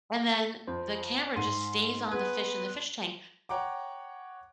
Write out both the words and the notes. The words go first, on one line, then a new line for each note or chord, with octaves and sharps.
and then the camera just stays on the fish in the fish tank
F2 C5
G#2 C6 D#7
B3 G#4 B4 G#6
C#5 F#5 G5 A#5 D6